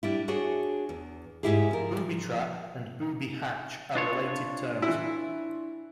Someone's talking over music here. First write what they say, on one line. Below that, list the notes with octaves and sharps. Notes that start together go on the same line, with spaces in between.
Booby trap and "booby hatch" are related terms.
G3 D4 E4
D4 F#4 G#4 C#5
E2
G#2 B2 G#3 E4 G4 G#4
F3 A#4
D4 F4 C#5
E3 E4